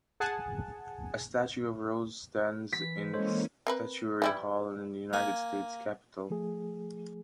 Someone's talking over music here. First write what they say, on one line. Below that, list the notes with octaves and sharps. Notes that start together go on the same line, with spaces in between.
A statue of Rose stands in Statuary Hall in the United States Capitol.
G#4 F#5 G#5 A5
E3 B6
E3 G#3 A#3 C#4 A4 C5 C#5
C4 A#4 B4
E3 G3 E4
A#3 G#5
F3 A3 G#4